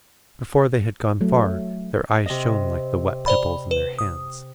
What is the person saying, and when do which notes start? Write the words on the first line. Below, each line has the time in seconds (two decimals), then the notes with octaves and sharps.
Before they had gone far their eyes shone like the wet pebbles in their hands.
1.21 F#3 A3
2.26 C3 D#5
3.26 C5 D5 B5
3.71 B4
3.99 D#6